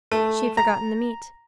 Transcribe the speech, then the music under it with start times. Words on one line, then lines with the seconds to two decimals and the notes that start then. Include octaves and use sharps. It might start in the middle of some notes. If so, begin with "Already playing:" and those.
She had forgotten the meat.
0.12 A3
0.57 A#5